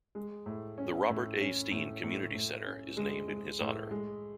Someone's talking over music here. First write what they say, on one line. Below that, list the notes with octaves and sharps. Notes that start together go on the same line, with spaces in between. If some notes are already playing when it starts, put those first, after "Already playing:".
The Robert A. Steen Community Centre is named in his honour.
G#3
A2
C#4
A2
C#4
A2
A2
A2
C#4
G#3
G#3
A2
G#3